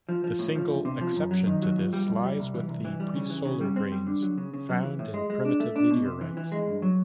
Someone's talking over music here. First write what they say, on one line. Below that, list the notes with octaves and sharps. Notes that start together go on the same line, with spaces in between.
The single exception to this lies with the presolar grains found in primitive meteorites.
F3
F3
A2
F3
D2
C3
F3
F#2
F#3
D#3
F#3
F2
G3
F2
G3
C2
E3
C2
E3
G3
C#3
E3
C#3
G3
C4
G3
D3
F#3
C#3
C#3
F#3
E3
A2
G#3
G#3
D4
A3
D4
B2
C3
E3
E3
G#3
G2
F#3